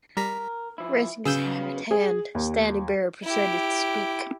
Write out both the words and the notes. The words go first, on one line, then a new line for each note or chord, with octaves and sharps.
Raising his right hand, Standing Bear proceeded to speak.
G3 A#4 A#5 B6
F3 E4
C#3 F#3 B3 G#4 E6 G6
G#4
D#2
E4 G4